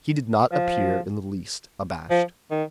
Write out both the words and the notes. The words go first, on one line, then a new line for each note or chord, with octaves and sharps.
He did not appear in the least abashed.
F3
F3
D#3